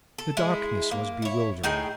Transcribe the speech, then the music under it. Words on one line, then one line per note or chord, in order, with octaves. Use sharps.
The darkness was bewildering.
A4
G#3 E4
A#3
E4 C#5
A2 D#4 G#4 G5